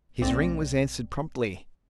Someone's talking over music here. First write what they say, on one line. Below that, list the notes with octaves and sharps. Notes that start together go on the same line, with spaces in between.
His ring was answered promptly.
B1 A3 C4 D5 A#6 E7